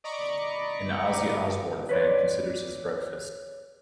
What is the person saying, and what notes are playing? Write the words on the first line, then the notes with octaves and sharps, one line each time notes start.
An Ozzy Osbourne fan considers his breakfast.
D5 D#5 A#5 B5 C#6 D6
B4 C#5 D5